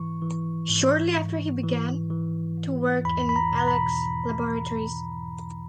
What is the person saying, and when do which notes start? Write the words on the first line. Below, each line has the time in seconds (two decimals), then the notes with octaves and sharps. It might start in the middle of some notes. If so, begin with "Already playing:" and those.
Shortly after, he began to work in Alex laboratories.
Already playing: G#2 E3 C#6
0.22 E3
0.69 G#2
1.16 G#2
1.63 E3
2.10 E3
2.58 G#2
3.05 E2 B5
3.29 B5
3.36 A#5
3.52 B2
3.58 A#5
3.68 B5